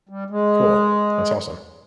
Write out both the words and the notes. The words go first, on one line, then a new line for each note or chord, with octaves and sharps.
Cool. That's awesome.
G3
G#3